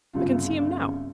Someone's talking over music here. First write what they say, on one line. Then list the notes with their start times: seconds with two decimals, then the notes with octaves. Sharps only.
I can see him now.
0.13 G1 C2 C#3 F4